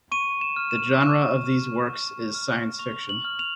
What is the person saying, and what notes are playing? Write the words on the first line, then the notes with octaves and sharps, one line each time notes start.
The genre of these works is science fiction.
C#6 D#7
E7
F6
E7
C#6
F6
C#6
F6
C#6 F7
F#7
F6
F7